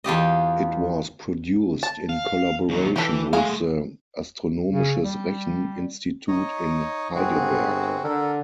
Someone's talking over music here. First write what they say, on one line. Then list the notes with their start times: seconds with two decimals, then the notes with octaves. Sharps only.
It was produced in collaboration with the Astronomisches Rechen-Institut in Heidelberg.
0.04 E2 F4 G4 D#5
1.83 A5
2.09 F5
2.69 D#2 F#3
2.96 E3 G4 A4
3.33 G#3 A3 F#4 G#4 F5
4.72 C#3
5.04 G3
6.28 D#4 C#5 D#5
7.15 G1 C4 F#4 G#4
8.04 D3 A4 A#4